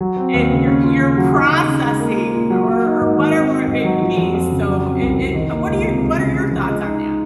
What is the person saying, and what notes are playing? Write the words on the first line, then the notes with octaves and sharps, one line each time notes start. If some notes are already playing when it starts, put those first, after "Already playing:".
eh y you're processing or or whatever it may be, so, it it what are you what are your thoughts on that?
F#3
C4
D#2
C#3
C#4
F4
C#3
F#3
D#4
C#3
C#3
G#3
A#3
F4
A#2
F#3
A#3
D#4
G#2
D#3
C4
F#4
G#2
F#3
F3
F2
F2
C#3
F#3
C4
C2
C3
D#3
A#3
C#2
C3
G#3
C#3
C#3
F3
G#3
D#4